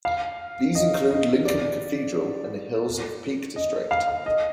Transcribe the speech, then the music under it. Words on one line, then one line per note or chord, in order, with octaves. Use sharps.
These include Lincoln Cathedral and the hills of the Peak District.
F5
D#5
D#5
D5
D#5
F5
F5
D#5